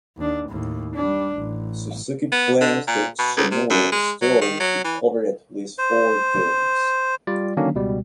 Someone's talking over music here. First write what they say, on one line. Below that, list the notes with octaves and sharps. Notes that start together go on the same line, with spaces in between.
Suzuki plans the "Shenmue" story to cover at least four games.
D#2 D4
D#2 A2
G3 D4
A1
B3
D3
A#2
B2
C#2
C3
F#2
G#3
F#3
D#3
F#3
E3
C5
G3 F4 D5
D3 D#3 F#3 A#3 C#4 D4
C#2 B2 G3